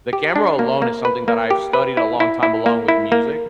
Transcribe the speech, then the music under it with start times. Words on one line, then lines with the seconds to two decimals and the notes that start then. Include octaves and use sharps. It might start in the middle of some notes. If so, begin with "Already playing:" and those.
The camera alone is something that I've studied a long time along with music.
0.13 G4
0.36 D4
0.59 A#3
0.82 A#3
1.05 B4
1.28 A#3
1.51 G4
1.73 B4
1.97 E4
2.20 E4
2.43 E4
2.66 A#3
2.88 E4
3.12 A#3